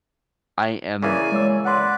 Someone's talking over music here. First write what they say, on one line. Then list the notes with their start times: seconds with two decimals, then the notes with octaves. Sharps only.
I am
1.02 C#3 E3 A#3 D5 G#5
1.32 G#3 C#5 E6
1.65 B4 D5 F#5 C6